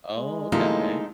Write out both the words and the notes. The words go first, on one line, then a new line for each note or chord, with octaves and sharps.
Oh, okay.
G#3
C3 D#3 F3 A3 A#3 D#4 E4